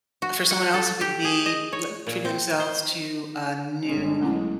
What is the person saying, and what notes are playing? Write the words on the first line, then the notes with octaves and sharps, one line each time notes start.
For someone else, it could be li treating themselves to a new
F#4
F#5
A4
G4
G#4
D#5
C#5
A#2
C4
C5
G1 G#3 C#4
B1 A3 C#4 E4